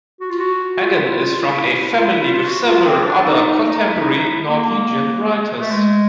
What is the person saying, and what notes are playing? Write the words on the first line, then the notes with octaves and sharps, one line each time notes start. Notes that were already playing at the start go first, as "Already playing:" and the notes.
Eggen is from a family with several other contemporary Norwegian writers.
F#4
F4
F#4
F4
E4
F4
F4
E4
F4
E4
F4
F#4
F4
C4
D4
D#4
E4
D#4
E4
A#3
A3
G#3